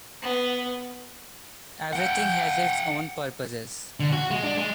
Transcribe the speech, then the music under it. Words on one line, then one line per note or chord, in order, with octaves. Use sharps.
Everything has its own purposes.
B3
F#5 G5
D3
F#4
G#3
D4
G#3